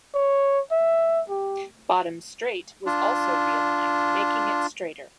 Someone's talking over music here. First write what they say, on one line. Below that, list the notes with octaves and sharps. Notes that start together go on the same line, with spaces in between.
Bottom Straight was also realigned making it straighter.
C#5
E5
G4
D4 F4